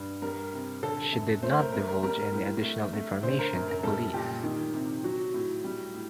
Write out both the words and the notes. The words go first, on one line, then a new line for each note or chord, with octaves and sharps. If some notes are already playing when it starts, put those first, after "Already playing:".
She did not divulge any additional information to police.
Already playing: G2
G3 A#4
C3
D3 A4
F#2
A3 C5
A#4
A3 A#4
A#4
G3 A#4
A2
A3
A3
D3 C5
A#4
F#2
A#4
G3 A4
A#2 G4
D#3
C3
F#3 F#4
A2
G3
A2